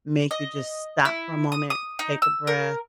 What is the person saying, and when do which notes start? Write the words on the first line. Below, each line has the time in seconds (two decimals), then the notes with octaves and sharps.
make you just stop for a moment, take a breath,
0.31 D#5
1.05 E4
1.52 D#6
1.70 D#6
1.99 D#4
2.22 E6
2.47 A#4